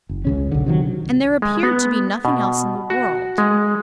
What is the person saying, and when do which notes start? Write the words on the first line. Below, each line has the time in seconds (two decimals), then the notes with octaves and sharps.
And there appeared to be nothing else in the world.
0.09 F#1
0.25 C#2 C#3 C#4
0.51 B1 D3
0.66 C3 D#3 F#3
1.42 G#3
1.63 B3
2.25 B2
2.90 F#4
3.38 G#3